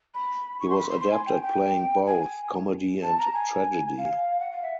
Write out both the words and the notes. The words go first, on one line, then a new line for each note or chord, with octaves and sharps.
He was adept at playing both comedy and tragedy.
B5
C#6
C6
B5
C6
C6
G#5
G5
G5
G#5
A5
A#5
G#5
F5
F#5
F5
E5